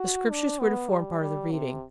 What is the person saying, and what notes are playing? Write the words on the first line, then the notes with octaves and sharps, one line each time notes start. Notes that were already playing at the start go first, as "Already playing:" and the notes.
The Scriptures were to form part of the reading.
Already playing: F#4
D4
B3
G3
G3
C3